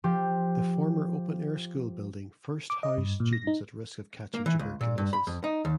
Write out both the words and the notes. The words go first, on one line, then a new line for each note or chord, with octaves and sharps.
The former open air school building first housed students at risk of catching tuberculosis.
F3 G4 C5
D6
D#5
G2
A#2
A#6
D#4
A#3
E3
C#2
A#2
G2
B5
F2
D#4
D#2